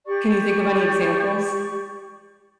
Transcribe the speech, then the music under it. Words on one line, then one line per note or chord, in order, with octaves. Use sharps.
Can you think of any examples?
G4 D5 C#6